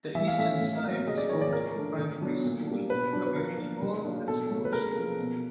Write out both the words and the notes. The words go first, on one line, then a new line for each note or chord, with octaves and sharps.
The eastern side is home to a primary school, community hall and sports oval.
E3 E5
F5
A3 C#4 E5
A2
F#3 A#3
C#3 D#5
D5
F3 A#3 C#4 C#5
D5
F3 A#4
A3 D4
D3
F#3 B3 D4
A#2
G3 A#3 D4
B2 B4
F#3 B3 D4
B4
F3 A#4
A#3 D4
D#3
F#3 A#3 D4
B2 A4
F#3 A3
B4
C#3 A#4
F3 A#3
B2